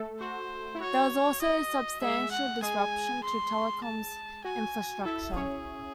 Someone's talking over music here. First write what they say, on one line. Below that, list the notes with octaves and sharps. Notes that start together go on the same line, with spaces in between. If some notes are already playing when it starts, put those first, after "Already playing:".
There was also substantial disruption to telecoms infrastructure.
Already playing: A3 A4
F#4 C5
E4
F#4 C#5
D#5
G#3 G#4 E5
F#5
G#3 G#4 G#5
C6
A5
F#4 G#5
E4 A4 E5
C#4 G#4 C#5